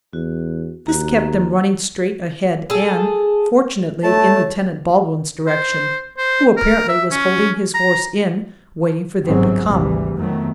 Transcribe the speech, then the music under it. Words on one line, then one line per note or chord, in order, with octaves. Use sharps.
This kept them running straight ahead, and, fortunately, in Lieutenant Baldwin's direction, who apparently was holding his horse in, waiting for them to come.
E2 F#4
D#2 F#4 A#5
G#4 A4
A3 C#5 A5
C5
C5
A#4
E5
C#4
A#5
G1 G#2 F#3 G#3 C4
G#1 D2 C3 E3 G3
F2 D#3 F#3 A3 B3